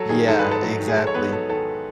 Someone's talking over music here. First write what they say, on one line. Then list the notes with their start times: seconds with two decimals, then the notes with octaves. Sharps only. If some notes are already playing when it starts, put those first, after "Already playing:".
Yeah, exactly.
Already playing: F#3 A4
0.09 D#3 G#4
0.28 G#2 A4
0.39 B4
0.44 G#2
0.51 A4
0.62 F#3
0.80 D#3
0.88 G#4
0.97 G#2 A4
1.07 C#5
1.14 G#2 B3 B4
1.32 F#3 A4
1.49 D#3 A4